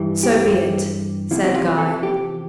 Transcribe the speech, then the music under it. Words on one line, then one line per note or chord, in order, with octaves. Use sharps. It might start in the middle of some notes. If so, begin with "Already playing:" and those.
"So be it," said Guy.
Already playing: G2 E3
G4
E2 C3 F3 E4
G4
F4
A4
G4